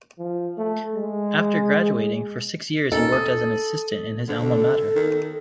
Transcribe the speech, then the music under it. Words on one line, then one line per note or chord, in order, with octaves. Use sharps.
After graduating, for six years he worked as an assistant in his alma mater.
F3
A3
G#3
A#3 C#4 D#4 A4
D#6
D3
A4
D#3